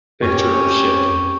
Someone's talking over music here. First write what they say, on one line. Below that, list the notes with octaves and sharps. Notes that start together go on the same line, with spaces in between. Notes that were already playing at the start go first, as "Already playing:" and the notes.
Picture of ship.
F2 C#4 G4 C#6